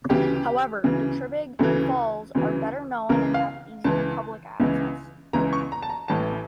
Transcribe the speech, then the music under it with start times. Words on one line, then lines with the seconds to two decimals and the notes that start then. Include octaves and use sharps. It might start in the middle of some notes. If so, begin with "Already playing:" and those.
However, the Triberg Falls are better known and have easier public access.
0.09 D2 C#3 E3 G4
0.84 D2 C#3 E3
1.59 D2 C#3 E3 A4
2.35 D2 C#3 E3
3.09 C#2 C#3 E3 A#4
3.34 F5
3.84 C#2 C#3 E3 A5
4.60 C#2 C#3 E3
5.33 C#2 C#3 E3 A#5
5.53 C#6
5.72 A#5
5.83 A5
5.90 A#5
6.08 A1 A2 E3 A5